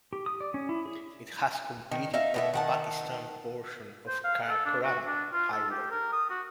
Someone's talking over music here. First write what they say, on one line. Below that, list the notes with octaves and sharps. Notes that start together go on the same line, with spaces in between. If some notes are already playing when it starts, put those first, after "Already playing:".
It has completed the Pakistan portion of Karakoram Highway.
G4
D#6
D5
C#4
E4
G#4
D#3
D#4 E5 F5
B2 B3 E5
D#3 F#5 A5
C5
F5
A4
D4
F#4
D4
F4
A4
G4
A#4
D#6
F#4